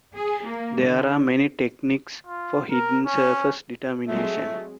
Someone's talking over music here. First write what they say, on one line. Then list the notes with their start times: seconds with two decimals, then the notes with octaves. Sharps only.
There are many techniques for hidden surface determination.
0.15 G#4
0.46 A#3
0.80 D3
2.27 F4
2.71 A#4
3.06 C#4
4.08 F#3 G#3 A3 C4